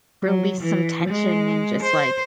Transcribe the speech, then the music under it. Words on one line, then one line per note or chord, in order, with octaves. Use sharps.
release some tension and just, like,
F#3
E3
G#3
C5